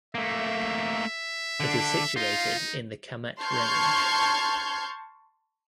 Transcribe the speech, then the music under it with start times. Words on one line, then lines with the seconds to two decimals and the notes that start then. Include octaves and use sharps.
It is situated in the Kamet range.
0.15 A3 A#3 E5
1.60 D3 D4
2.16 D#4 F4
3.40 A5 C6 C#6 F6 G6 G#6